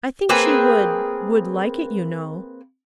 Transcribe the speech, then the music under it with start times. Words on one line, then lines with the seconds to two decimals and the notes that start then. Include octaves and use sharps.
"I think she would,--would like it, you know."
0.29 A#3 C4 G#4 B4